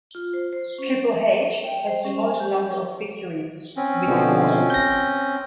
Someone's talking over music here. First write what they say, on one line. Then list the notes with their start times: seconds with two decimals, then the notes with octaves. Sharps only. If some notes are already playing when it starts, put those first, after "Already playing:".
Triple H has the most number of victories, with four.
0.15 F4
0.34 C5
0.53 C5
0.78 C#4
1.14 E5
1.64 G5
1.87 C5
2.04 C#4
2.24 G#5
2.40 G4
3.77 C4 C#4
4.08 B2 D3 F3
4.70 G6 A#6